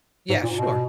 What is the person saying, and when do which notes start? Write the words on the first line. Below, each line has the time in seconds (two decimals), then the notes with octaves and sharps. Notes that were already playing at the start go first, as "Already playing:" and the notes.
Yeah, sure.
0.29 G#2
0.43 A#2
0.56 B2